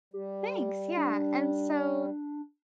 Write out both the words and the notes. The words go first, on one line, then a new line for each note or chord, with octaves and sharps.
thanks, yeah. And so
G3 G4
D4